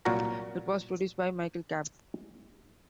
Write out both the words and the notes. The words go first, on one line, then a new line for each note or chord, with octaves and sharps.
It was produced by Michael Kapp.
C2 A#2 F#3 F#4 A#4 A#5